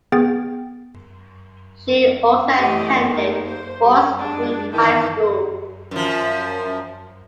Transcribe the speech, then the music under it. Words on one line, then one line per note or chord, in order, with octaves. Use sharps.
She also attended Fort Street High School.
B3 G#4 G5 A6
E3 A3 G4 D5 D#5
A3 A#3 D#4 G4
C5
G3
G#3 D4
D#3 E3 E4 D#5 G5 A5
F#2 F3